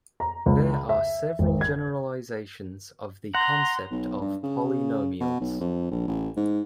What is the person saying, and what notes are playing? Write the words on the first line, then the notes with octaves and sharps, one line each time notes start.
There are several generalizations of the concept of polynomials.
A#5
C#2
E5
G#1
G#6
F#5 A#5 C6
B1
G2
C#3
B2
B1
F2
A#1
A1
G#2